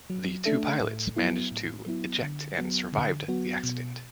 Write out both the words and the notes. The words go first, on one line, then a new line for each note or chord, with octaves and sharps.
The two pilots managed to eject and survived the accident.
F#3
A3 D4 A4 E5
A2
F#3 B3 E4
A2
F#3 B3 E4
D3
F#3 B3 F#4
D3
F#3 B3 F#4
B2